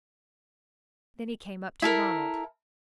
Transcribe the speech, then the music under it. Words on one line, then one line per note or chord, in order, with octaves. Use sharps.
Then he came up to Ronald.
E4 A4 A#4